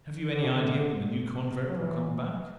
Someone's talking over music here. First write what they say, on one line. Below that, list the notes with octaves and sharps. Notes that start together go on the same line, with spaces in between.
Have you any idea when the new convert will come back?
D3
B2
D3
F#3
E3